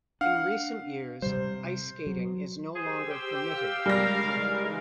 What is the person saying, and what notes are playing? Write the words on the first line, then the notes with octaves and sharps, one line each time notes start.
In recent years, ice skating is no longer permitted on the pond.
D4 F5 F#5 F6
C3 G3 C5
F#3
G4 G#4 C5 E6
C5 G5
F5
C#3 G3 G#3 A#4 A#6
E3 G#3 D#4